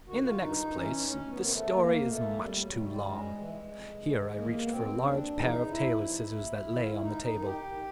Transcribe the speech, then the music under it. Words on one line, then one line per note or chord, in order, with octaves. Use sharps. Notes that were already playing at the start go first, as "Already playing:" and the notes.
"In the next place, the story is much too long." Here I reached for a large pair of tailor's scissors that lay on the table.
D#3 F#4
F4
G2 D#4
E3 C#4
D2 C#4
B3
C3 D#3
A3
E2 A#3
B2 A3
F#3
F2 G3
F#3
C3 D#3
G3
G#2 G#3
E3
F2
C3 D#3
E2 A#3
B3
B2 C4
D#2 D4
C#3 E3 D#4
F2 E4
C3 E3
D#2
D#3
F4
E4
G#2 D#4
D#4
D#3
G4